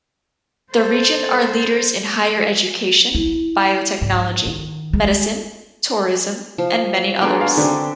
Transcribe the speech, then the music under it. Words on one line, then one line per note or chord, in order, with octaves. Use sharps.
The region are leaders in higher education, biotechnology, medicine, tourism and many others.
A4 C5
E4
G#2
D#3
G#3
F3
D3 F#3 G#3 B3 G#4 D6
F5
D3 C4 D4 G4